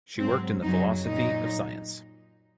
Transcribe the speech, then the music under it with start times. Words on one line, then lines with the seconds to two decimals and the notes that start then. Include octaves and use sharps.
She worked in the philosophy of science.
0.18 G#2 F#3 C4
0.62 F#2 C#3 F#3 D#4
1.07 A#2 F#3 D#4